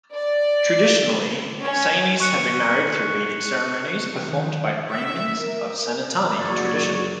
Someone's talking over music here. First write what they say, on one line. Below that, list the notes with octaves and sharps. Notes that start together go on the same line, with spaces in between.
Traditionally, Sainis have been married through Vedic ceremonies performed by Brahmins of Sanatani tradition.
D5
C#4
C#6 F#6 C#7
D#3
E5
A#4
F#1 F#3 F#4 G#4 C#5 D5